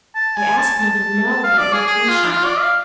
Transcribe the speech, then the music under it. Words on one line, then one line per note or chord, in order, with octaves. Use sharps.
I ask nothing now but your friendship.
A5
G#5
A5
A5
F5
D5
G#4
G#4
F4
D4
F4
D5
F5